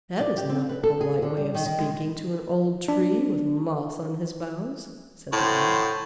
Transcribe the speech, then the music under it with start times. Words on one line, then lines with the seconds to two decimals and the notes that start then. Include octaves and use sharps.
"That is not a polite way of speaking to an old Tree with moss on his boughs," said the Oak.
0.20 D5
0.38 G4
0.49 C4
0.69 B4
0.83 A4
1.01 G#4
1.22 D3
1.37 G3
1.54 D#3
1.66 D#3
1.79 G#3
2.88 D4
5.33 A2 F#4 C5